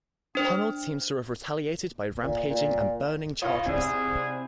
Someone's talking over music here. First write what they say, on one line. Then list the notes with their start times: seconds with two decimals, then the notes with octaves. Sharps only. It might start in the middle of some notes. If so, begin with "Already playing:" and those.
Hunald seems to have retaliated by rampaging and burning Chartres.
0.35 D4 C5
2.23 A#2
2.50 A#2
3.42 D#3 E4 F4 C#5 D#5 F5
3.66 G#2 C3 E4 G#4 C5 D5 E6